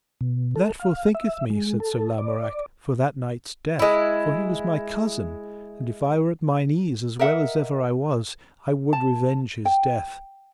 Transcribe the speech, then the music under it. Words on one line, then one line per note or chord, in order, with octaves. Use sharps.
That forthinketh me, said Sir Lamorak, for that knight's death, for he was my cousin; and if I were at mine ease as well as ever I was, I would revenge his death.
B2
A4
F5
E5
G#3
A4
D5
G#3 E4
A#4 D#5 E5 F#5
A5
G5